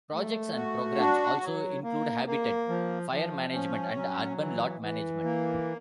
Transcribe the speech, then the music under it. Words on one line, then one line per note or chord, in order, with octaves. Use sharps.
Projects and programs also include habitat, fire management, and urban lot management.
A3
F#4
D4
F#3
A#3
A#3
F3
F3
C#4
F#3
E3
E3
A#3